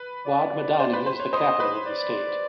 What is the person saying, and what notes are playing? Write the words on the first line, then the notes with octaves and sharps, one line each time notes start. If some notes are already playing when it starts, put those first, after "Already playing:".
Wad Madani is the capital of the state.
Already playing: B4
D5
C5
B4
C5
C#5
C5 D#5
B4
D5